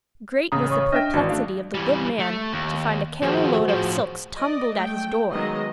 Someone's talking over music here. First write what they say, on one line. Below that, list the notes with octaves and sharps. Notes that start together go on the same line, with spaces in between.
Great was the perplexity of the good man to find a camel-load of silks tumbled at his door!
A1 C#3 A#5 D#6
C#5 C#6 D#6
D4 D#5 E5 G5 F6 A#6
G#1 E3 F#4 D5
A3 D4 F5
E3 G3
A3
D#2
D#2 F3 F#4 G#4 C5
A2 F3
D5 D#5
A3 G5
D#3 F#3 G#3 A#3 B3 D#5